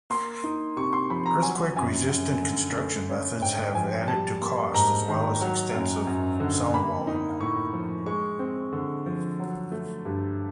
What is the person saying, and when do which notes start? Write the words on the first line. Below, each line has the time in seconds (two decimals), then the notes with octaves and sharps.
Earthquake resistant construction methods have added to costs, as well as extensive soundwalling.
0.10 A#3 C6
0.44 D#4
0.76 C3 C#6
0.93 C6
1.10 F3 B5
1.26 A#5
1.42 F#3 G#5
1.76 F#2 G#5
2.09 F#2
2.43 D3
2.76 A3
3.09 C#4
3.41 G#2 G5
3.74 F3 G#5
4.08 G3 A5
4.41 A#3
4.74 G#2 A#5
5.08 D#3
5.41 F#3
5.74 F#2
6.07 F#2
6.40 D3
6.74 A#3 B5
7.07 D#4
7.40 A2 C#6
7.73 F3
8.06 G#3 C#6
8.39 C4
8.73 D3
9.06 F3
9.40 F#3
9.72 A3
10.05 G2